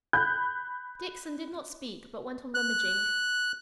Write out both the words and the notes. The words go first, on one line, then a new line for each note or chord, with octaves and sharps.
Dixon did not speak, but went on rummaging.
B5 F#6 G6
F#6